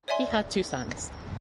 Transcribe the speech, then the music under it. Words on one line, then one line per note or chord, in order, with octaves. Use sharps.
He had two sons.
C#5 D5 E5 G#5 C6